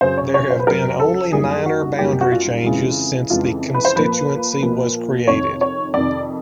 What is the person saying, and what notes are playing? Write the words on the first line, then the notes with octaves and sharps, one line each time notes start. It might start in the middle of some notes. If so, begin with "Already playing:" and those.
There have been only minor boundary changes since the constituency was created.
F#2 C#3 F#3 C5
C#5
C#5
C5
B4
F#2 C#3 F#3 A#4
A4
F#2 D#3 G3 A#3 G#4
F#4
F#2 D#3 G3 A#3 G4
F#4
F4
F2 C#3 E3 G#3
F2 C#3 E3 G#3 F4
B4
C5
A#2 F3 A#3 B4
A#2 F3 A#3
F2 C3 D#3 C#5
C#5
F2 C3 D#3 D5